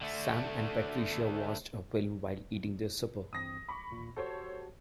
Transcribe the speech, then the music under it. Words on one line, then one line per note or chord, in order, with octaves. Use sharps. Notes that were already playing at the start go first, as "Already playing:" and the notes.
Sam and Patricia watched a film while eating their supper.
D3 A3
G2 E3 C4 D#6 A#6
B1 B5 C#6 D6
A1 D#2 A#2
F#4 G4 A4 C5 C#5 A5